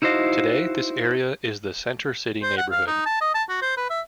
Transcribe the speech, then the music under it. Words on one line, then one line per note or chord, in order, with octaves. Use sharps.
Today this area is the Center City neighborhood.
D#4 E4 F#4 C5 D#5 F5
C5
F#5
F5
D#4
A5
D#5
A5
F#4
C5
B4
E5